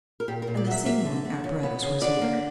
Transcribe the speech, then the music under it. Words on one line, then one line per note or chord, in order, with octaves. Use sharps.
And the signaling apparatus was here!
A#4
A#2 G4
A#4
A#2
D5
F#3 E5
A#3 E5
D3
D3
C#3
B3
C#3
D3 D5
A#3